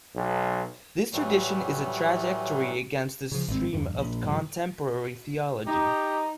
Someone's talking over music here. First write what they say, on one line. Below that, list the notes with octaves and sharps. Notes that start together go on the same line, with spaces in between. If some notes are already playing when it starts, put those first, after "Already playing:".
This tradition is a trajectory against the stream of contemporary theology.
B1
A2 E3 F#3 G3 A3
C#3 F3
G#1 G2 C4
E2 G2 D3
A#1
G2 C#3 F3
D#4 G4